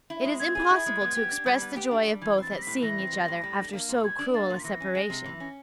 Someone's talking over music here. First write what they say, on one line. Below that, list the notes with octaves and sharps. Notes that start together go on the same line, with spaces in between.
It is impossible to express the joy of both at seeing each other, after so cruel a separation.
E4
G#3
C4 G#6
G#4
E4
G#3
B3
G4
D4
G3
B3
G4
D4
G3
E3 G#6
C4 A6
G3
A#6
A2 B6
E3 A#6
C4
G3
A2
G3
D4
A#3
A#2
G3 G#6
D4
A#3 A6
A#2
B6
E3 A#6
C#4
G#3
C3
E3
C#4